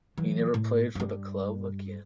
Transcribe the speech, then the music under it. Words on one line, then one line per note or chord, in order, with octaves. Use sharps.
He never played for the club again.
E3 F#3
A2
G2 G3